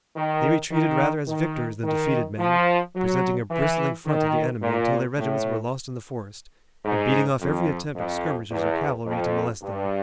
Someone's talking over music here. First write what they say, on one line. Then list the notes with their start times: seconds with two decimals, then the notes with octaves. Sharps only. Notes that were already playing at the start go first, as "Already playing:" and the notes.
They retreated rather as victors than defeated men, presenting a bristling front to the enemy until their regiments were lost in the forest, and beating off every attempt of skirmishers or cavalry to molest them.
0.16 D#3
0.71 D#3
1.27 D#3
1.83 D#3
2.39 F3
2.94 F#3
3.50 E3
4.06 D#3
4.61 A#2
5.17 A2
6.84 G#2
7.40 F2
7.96 F2
8.51 E2
9.06 F2
9.62 G2